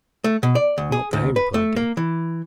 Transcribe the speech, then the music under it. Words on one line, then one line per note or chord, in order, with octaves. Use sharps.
"Not they," replied Dick.
A3
B2
D5
D2
G#4
D2
B4
A3
A#3
E3